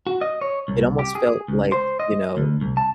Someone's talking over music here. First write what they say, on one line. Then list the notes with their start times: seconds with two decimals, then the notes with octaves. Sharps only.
it almost felt like, you know,
0.07 F#4
0.21 D#5
0.41 C#5
0.68 C2
0.99 G4
1.15 G#4
1.48 C#2
1.72 C5
2.00 D#5
2.37 D2
2.61 C2
2.77 A5